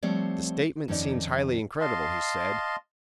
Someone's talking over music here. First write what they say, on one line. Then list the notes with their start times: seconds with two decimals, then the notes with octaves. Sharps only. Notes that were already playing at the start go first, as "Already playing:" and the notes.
"The statement seems highly incredible," he said.
0.03 F3 G3 A3 C4 C#5 D5
0.88 F2 D#3 C#4 D#4 D5
1.81 D#5 F5 A5 C6